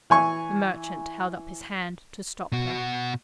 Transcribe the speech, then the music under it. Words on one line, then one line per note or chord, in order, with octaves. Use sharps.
The merchant held up his hand to stop her.
E3 G#5 C#6
B2 F#4